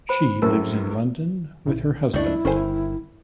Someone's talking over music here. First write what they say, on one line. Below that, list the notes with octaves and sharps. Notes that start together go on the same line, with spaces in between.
She lives in London with her husband.
C5 B5
A#1 F#2 A2 A#4
A#1 D#3 E4
C#2 F#2 A3 D4 E4 D#5 C#6 G6
G1 D#3 C#4 A4 C5 G#5